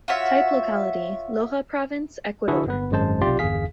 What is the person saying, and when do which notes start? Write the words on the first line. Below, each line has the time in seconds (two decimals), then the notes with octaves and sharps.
Type locality: Loja Province, Ecuador.
0.08 F4 F#4 C#5 E5
2.48 D3 E4 F#4 G#4 A4 B4
2.66 G1 B3 B4
2.91 G#1 F#2 G#3 C5 A5
3.21 B1 C3 F4 G4 D5 C6
3.39 G1 E2 G#4 F5 B6